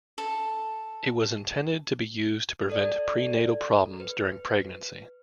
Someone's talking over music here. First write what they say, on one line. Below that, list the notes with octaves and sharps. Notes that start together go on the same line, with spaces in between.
It was intended to be used to prevent prenatal problems during pregnancy.
A4
A4 D5
B4